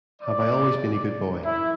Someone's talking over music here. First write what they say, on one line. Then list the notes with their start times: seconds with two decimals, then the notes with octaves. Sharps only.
Have I always been a good boy?
0.22 D5
1.42 E4